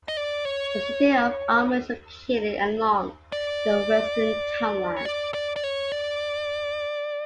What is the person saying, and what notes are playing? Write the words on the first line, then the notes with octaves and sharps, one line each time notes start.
The city of Alma is located along the western town line.
D#5
D5
C#5
D5
C#5
D5
D5
D5
C#5
D5